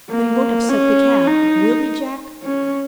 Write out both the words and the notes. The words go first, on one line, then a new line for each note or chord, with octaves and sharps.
"But he won't upset the cab, will he, Jack?"
A#3
C#4
D#4
C#4